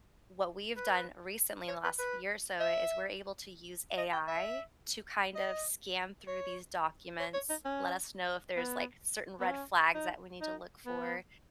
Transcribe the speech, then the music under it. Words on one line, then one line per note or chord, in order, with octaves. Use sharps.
what we've done recently in the last year or so is we're able to use AI to kind of scan through these documents, let us know if there's, like, certain red flags that we need to look for
B4
C#5
B4
B4
E5
D#5
G5
E5
D#5
C#5
C#5
C#5
D#4
C#4
B3
B3
C#4
D#4
D#4
B3